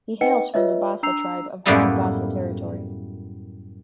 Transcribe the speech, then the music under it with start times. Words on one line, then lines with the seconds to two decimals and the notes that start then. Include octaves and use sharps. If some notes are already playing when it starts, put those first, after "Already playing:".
He hails from the Bassa Tribe of Grand Bassa territory.
0.21 D#4 B4 D#5 F#5 G5 C#7
0.54 F4 B4 C#5 D#5 E5
1.03 D4 A#5 E6 C7 F7
1.66 F#2 A2 G3 A#3 B3 E4